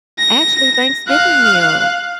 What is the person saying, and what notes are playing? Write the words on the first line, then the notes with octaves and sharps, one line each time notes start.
Actually, Thanksgiving meals,
A#6
F5 F#6